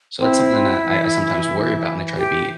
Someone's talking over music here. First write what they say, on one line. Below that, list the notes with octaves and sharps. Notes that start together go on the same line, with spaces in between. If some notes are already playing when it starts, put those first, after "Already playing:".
So that's something n that I I sometimes worry about and I try to be
C4 E4
E3
G4